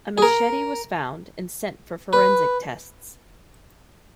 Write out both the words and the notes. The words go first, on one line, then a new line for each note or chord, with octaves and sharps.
A machete was found and sent for forensic tests.
G#4
A#4
B4